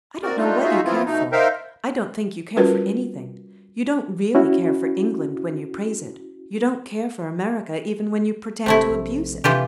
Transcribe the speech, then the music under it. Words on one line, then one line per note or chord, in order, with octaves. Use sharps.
"I don't know what you care for; I don't think you care for anything. You don't really care for England when you praise it; you don't care for America even when you pretend to abuse it."
C4 F#4 A#4 D5
G3 A3 A#3 D4 D#4 F4
D#4 F4 F#4 G#4 E5
E3 F3 B3 C4 E4 F4
B2 A3 D#4
D#4 A#4 C5 E5 F5 G5
G3 C#4 F4 F#4 A#4 B4
C#4 E4 F#4
G1 C3 A3 E4
A#1
C3 E3 F4 G4